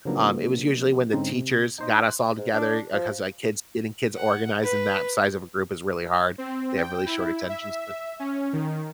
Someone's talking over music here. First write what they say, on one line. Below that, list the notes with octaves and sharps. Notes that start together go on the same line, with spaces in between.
um, it was usually when the teachers got us all together, uh, 'cause, like, kids getting kids organized in that size of a group is really hard. They have really short attentions sp
C#3 F3 F#3 A#3 B3 D4
G#2 D3 C4 C#4 D#4
C3
D#4 C5 D#5
C5 F#6
G#2
D4
F3
F#5
B4
C4
G5
E4
E5
E5
C#4
D#3